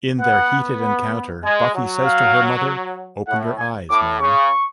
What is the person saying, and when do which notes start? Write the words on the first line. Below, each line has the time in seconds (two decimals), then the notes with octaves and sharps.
In their heated encounter Buffy says to her mother, Open your eyes, Mom.
0.20 B3 F#5
1.44 G#3 G#5
1.75 F#3
2.05 F5
3.28 A2 F#5
3.58 G#5
3.90 A2 D6
4.20 C#3 C#6